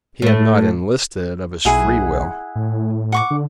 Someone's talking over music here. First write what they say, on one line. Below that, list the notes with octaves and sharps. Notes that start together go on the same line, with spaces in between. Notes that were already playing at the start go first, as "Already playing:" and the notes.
He had not enlisted of his free will.
A2 A3
B1 E4 G#4 F#5
A2
F#5 C#6 D6
D3